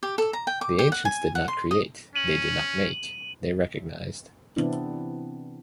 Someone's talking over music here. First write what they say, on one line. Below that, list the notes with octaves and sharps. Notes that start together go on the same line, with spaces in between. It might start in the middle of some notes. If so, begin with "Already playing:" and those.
The ancients did not create, they did not make; they recognized.
G4
A4
A#5
G5
D6
G4
F#5
G#5
F#5
C6
D#5
C#4 D#7 F#7
C3 E3 B3 C4 D4 E4